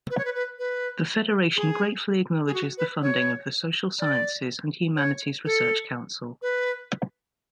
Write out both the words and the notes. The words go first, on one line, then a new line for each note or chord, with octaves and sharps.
The Federation gratefully acknowledges the funding of the Social Sciences and Humanities Research Council.
B4
C#5
B4
B4
B4
G#4
G#4
F#4
B4
C#5
D5
C#5
A4
B4